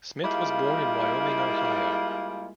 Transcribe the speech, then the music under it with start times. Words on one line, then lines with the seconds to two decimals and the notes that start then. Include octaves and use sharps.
Smith was born in Wyoming, Ohio.
0.23 G3 G#3 A#3 E4 F4